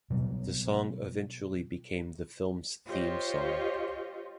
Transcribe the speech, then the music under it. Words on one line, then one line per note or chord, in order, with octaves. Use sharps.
The song eventually became the film's theme song.
B2 F#3 G3 B3
F4 G4 C5 C#5 D#5